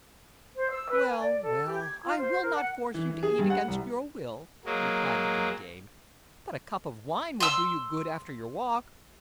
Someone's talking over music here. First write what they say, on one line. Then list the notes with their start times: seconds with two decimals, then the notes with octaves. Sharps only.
"Well, well, I will not force you to eat against your will," replied the good dame "But a cup of wine will do you good after your walk."
0.56 C5
0.70 E6
0.88 B4
1.07 G#5
1.19 D5
1.41 A4
1.66 G4
1.80 G#6
2.05 F4
2.18 C5
2.42 A#4
2.56 F#5
2.94 E3
3.10 E3
3.23 G#4
3.39 G2
3.50 F#5
3.68 C2
4.65 F#3 G#3 A#3
7.40 C6 E6